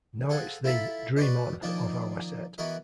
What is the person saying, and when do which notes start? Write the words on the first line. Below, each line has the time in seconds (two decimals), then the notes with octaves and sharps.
Now it's the 'Dream On' of our set.
0.29 G#4 A4 C5 F5 F#5 G#5
0.64 E4 F4 A4 E5 A#5 B5
1.17 F#4 B4 C5 D5 D#5
1.62 D#3 F3 A#3 D4 D#4
2.58 E3 B3 F#4 A#4 D#5